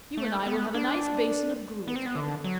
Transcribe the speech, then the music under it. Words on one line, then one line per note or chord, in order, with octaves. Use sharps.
You and I will have a nice basin of gruel together.
A3
B3
D4
B3
C4
B3
D3
F#3